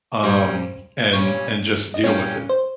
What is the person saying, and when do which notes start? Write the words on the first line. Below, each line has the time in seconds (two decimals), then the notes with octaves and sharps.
um, and and just deal with it.
0.23 A#2 G3 C#4 C5
1.13 A#2 G3 C#4 C#5
1.94 D#5
2.04 A#2 G3 C#4 C#5
2.49 C5